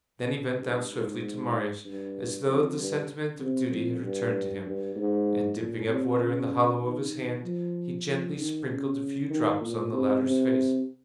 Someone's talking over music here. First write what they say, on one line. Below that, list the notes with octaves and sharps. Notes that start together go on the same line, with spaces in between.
Then he bent down swiftly to Marius, as though the sentiment of duty had returned to him, and, dipping up water in the hollow of his hand, he gently sprinkled a few drops on the latter's face.
G2
G#2
G2
F2
G2
C3
F2
G2
G2
G#2
A#2
C3
C#3
D#3
F3
F3
D#3
C#3
D#3
A#2
C3
C3